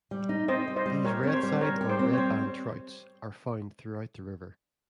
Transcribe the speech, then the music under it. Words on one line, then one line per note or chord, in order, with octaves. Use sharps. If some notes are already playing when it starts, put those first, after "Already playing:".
These redside or redband trouts are found throughout the river.
G3
D#4
C4 C5 D#5
G3
C5 D#5
G3
G4 A#4 C#5
C4 C#5
C5
G3
G3 A#4 C#5
G4
C5
C4
C#5
G3 C5